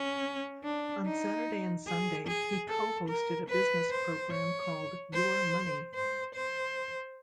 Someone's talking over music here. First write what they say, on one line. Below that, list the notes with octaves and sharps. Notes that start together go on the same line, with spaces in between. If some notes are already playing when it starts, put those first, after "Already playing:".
On Saturday and Sunday he co-hosted a business program called "Your Money".
Already playing: C#4
D4
D#4
G#4
G#4
A4
A#4
B4
C5
C#5
C5
C5
C5